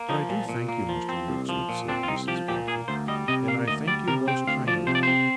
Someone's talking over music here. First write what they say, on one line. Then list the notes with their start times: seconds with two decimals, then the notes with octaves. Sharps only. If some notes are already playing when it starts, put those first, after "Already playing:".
'But I do thank you, Mr Rokesmith,' said Mrs Boffin, 'and I thank you most kindly.
Already playing: A#3
0.09 F3 D#4
0.29 A#2
0.49 A#2
0.69 A#3
0.89 F3
1.09 C4
1.28 C2
1.49 F3
1.69 A#2
1.88 C4 D4
2.03 F4
2.08 C2 D#4
2.28 F3 G4
2.48 A#2 G4
2.68 A#3 G#4
2.88 D2 C5
3.08 G3 D#5
3.28 C3 D#5
3.48 A#3 F5
3.68 D2 D#5
3.88 G3 D5
4.08 C3 A#4
4.28 C4 G5
4.47 D2 F5
4.67 F3 D5
4.87 C3 C5
4.95 D5
5.03 C4 C5